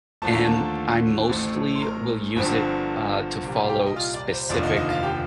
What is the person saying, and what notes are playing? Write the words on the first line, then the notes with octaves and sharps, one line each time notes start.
and I mostly will use it, uh, to follow specific,
D#2 D3 F3 A3 A5
A#5
A4 A5
A1 A2 A3 C4
C6
A#4 A#5
G1 G2 D3 F3 C4
C2 A#2 G3
F5
G4 G5
D#5
F4 F5
D5
C5
F1 D#2 D3 F3 D5
D#4 D#5
D#4 D#5
F4 F5
G4 G5